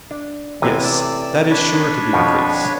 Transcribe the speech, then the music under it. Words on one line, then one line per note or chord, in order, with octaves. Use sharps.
Yes, that is sure to be the case.
D4
A1 C3 B3 G#5
D5 E6
D4 B4 C#5
F2 B2 F3